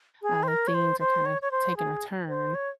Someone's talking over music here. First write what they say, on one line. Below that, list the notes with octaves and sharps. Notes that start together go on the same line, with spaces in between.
uh, things are kinda taking a turn.
G#4
C5
A#4
C#5
C5
C5
C#5
C#5
C5
G#4
C5
C#5